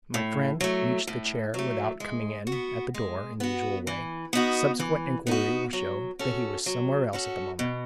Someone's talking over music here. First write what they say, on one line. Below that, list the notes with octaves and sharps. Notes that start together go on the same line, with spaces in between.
My friend reached the chair without coming in at the door in the usual way; subsequent inquiry will show that he was somewhere else at the moment.
A2
F#3 A3
A2
F#3 A3
G#3
F#4
B3
G#3
B3 F#4
E3
B3 D#4 F#4
E3
B3 D#4 F#4
F#3
C#4 F#4 A4
F#3
C#4 F#4 A4
B2